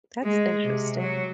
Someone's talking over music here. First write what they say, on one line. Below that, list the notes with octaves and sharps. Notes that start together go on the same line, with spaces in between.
That's interesting.
G#3
C3
F#3